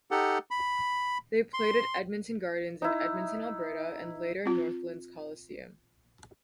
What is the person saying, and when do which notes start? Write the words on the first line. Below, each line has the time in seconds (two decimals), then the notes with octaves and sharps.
They played at Edmonton Gardens in Edmonton, Alberta, and later Northlands Coliseum.
0.11 D#4 G4 A4 F#5
0.51 B5
1.54 C6
2.82 D#4 E4
4.45 C4 F4